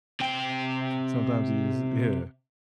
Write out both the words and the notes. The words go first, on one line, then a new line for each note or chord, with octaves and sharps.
sometimes you just Yeah.
C3 G5